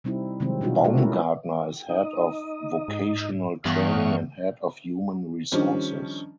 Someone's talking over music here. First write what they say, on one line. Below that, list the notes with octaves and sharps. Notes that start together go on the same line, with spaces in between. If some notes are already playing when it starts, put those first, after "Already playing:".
Baumgartner is head of vocational training and head of human resources.
C3 G3 C4 D#4 E4
C3 D#3 F3 F#3 G#3 C4
B2 G3 D4 D#4 F4 F#4
G#3 A3 F#4 A4
G#3 C#4 E4 A#4
D#4 D#5
G#2
E2 G2 F5 C#6
D#3 F3 G3 C#4 D4